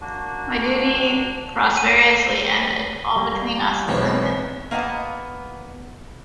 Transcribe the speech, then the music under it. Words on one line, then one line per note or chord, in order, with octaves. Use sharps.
My duty prosperously ended, all between us is ended.
A#3 D4 F#4
D#7
G3 A#3
B1 E2 E3 G#3 C4 C#5
A#3 B3 D#5 G#5 A5